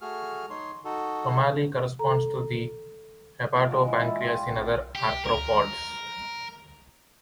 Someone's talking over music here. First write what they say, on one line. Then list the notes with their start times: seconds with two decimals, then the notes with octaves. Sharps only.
Tomalley corresponds to the hepatopancreas in other arthropods.
0.01 A3 F#4 G#4 F6
0.50 D#4 C#5 C6
0.85 D#4 F#4 A4
1.99 A4 A#5
3.55 A#2 D6
3.70 G#3 F#4 A#4
3.87 E3 E5
4.01 E4 D5
4.21 F4 G4
4.49 C4 F#4
4.95 G4
5.25 A#4